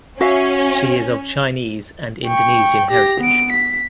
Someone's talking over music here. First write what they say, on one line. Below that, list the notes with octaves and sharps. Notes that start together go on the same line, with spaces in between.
She is of Chinese and Indonesian heritage.
C#4 F#4 E5 F5
G5 C#6
G4 A#6
B3 D7
B6